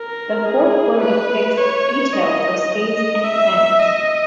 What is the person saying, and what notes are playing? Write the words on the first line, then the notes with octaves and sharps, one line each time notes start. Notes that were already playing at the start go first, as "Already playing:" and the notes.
The fourth floor depicts details of space and planets.
Already playing: A#4
G#4
B4
C#5
D#5
D#5
E5
D#5